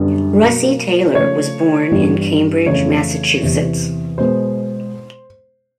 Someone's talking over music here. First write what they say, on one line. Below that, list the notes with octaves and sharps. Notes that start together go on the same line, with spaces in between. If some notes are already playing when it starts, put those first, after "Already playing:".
Russi Taylor was born in Cambridge, Massachusetts.
Already playing: F#2 D3 G3 B3
B2 F#3 A#3
C#3 F3 A3 C#5
G2 E3 G3 B3
F2 C#3 E3 A3 C#5
E2 C3 E3
B2 G#3 B3 C5